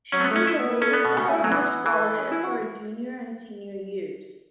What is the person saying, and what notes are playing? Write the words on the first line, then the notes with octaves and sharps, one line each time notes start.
She was awarded the governor's scholarship for her junior and senior years.
F#3 C#4
A3
B3
A3 C#4
E4
B3
B4
C#4 A4
B3
B2
C#3 F#4
C#4
E4
F#3 A3
E3 B3
E3 A4
B4
A4
C#4
E4
F#4